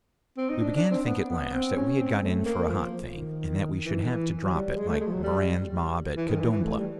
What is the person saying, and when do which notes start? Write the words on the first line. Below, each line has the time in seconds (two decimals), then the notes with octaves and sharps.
We began to think at last that we had got in for a hot thing, and that we should have to drop it like Moran's mob at Kadombla.
0.37 C4
0.49 D#4
0.61 D4
0.76 D4
0.91 C4
1.06 B3
1.30 B3
1.53 C4
1.76 C#4
1.99 C4
2.23 A3
2.45 A#3
2.69 F3
3.15 D#3
3.85 E3
4.01 D#3
4.08 E3
4.43 F#3
4.54 G3
4.76 G#3
4.88 A3
5.00 G#3
5.07 F3
5.12 F#3
5.23 G3
6.16 E3
6.28 D#3
6.39 E3
6.51 E3
6.63 A3
6.77 G3